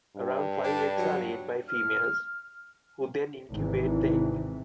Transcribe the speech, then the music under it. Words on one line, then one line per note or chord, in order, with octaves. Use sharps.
Around five eggs are laid by females, who then incubate the egg.
G2
D4
F#3
F6
G#1 C3 E3